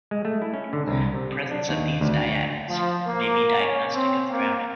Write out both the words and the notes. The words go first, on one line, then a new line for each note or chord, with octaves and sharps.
Presence of these diatoms may be diagnostic of drowning.
G#3
A3
E4
C#4
D3
C2
C3
D4
D#2
D2
F3
A#3
C#4
C4
A#3